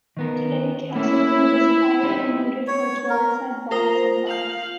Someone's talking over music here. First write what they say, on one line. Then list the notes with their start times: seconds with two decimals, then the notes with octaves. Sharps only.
Today, Castlefield is quiet and noted for its waterside bars and pubs.
0.17 D#3 B3 A#4
0.95 A3 A#3 C#4 E4
2.03 C4 D#4 G4
2.67 C#5
3.10 A#4
3.71 F4 A#4 C5 A#5 D#6
4.27 F5 G6 F7 F#7